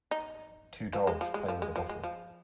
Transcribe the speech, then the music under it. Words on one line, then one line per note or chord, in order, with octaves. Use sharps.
Two dogs play with a bottle.
D#4
F3
G#3
F3
G#3
F3
G#3
F3
G#3
F3